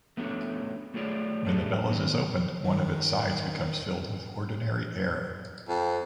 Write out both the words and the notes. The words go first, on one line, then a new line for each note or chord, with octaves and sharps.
When the bellows is opened, one of its sides becomes filled with ordinary air.
A3 B3 C#4 D4 F#4
A3 F4 G#4 C#5 D5
A2 A3 D4 G4 G#4
D#3 E3 F#3 B3
D#3
F2